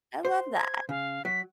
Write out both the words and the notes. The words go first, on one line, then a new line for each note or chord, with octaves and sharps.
I love that.
C5
G#6
C#3 F5
F#3 B6